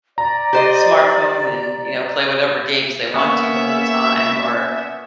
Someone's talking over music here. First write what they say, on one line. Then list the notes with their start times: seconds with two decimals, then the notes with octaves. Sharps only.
smartphone and, you know, play whatever games they want to the whole time or
0.18 D5 A#5
0.53 G4 C5 D#5
3.14 A#3 B3 C#4 E5